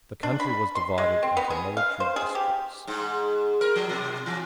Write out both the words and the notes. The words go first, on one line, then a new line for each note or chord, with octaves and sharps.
The country was divided into military districts.
D4
B5
C6
G#3
C4
B3
G#4
F5
C5
G#4
G4
G#2
A#4
F3
B2
E3